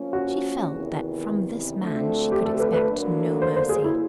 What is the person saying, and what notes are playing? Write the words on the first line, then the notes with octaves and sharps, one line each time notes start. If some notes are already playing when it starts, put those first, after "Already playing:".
She felt that from this man she could expect no mercy.
Already playing: F3 A#3 C#4
F#4
E2 C3 D#3
D2 D3 F3 A3 C4
G4
A4
B4
B4
D2 D3 F#3 A#3
C5
C5
G#4
E4